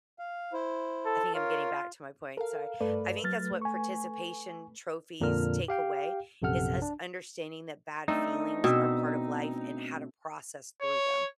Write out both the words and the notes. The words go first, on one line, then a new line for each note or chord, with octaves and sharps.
I think I'm getting back to my point, sorry. I think that's what participation trophies take away, is us understanding that bad feelings are part of life and how to process through them.
F5
E4 C5
A4
F4 A#4 C#5
A4 A#4 F5
G2 A3 A4 B4 D5
F#3 F6 A6
G#5 C#6
F2 A#2 D3 D4 A#4 F6
G4 F5 G5
A#1 F#2 C3 A4 F#5 F6
D4
A3 C4 D4 D#4
B2 C4 E6 B6
C#5